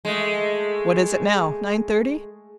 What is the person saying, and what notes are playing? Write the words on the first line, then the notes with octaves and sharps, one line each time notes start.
What is it now--nine thirty?
G#3 A3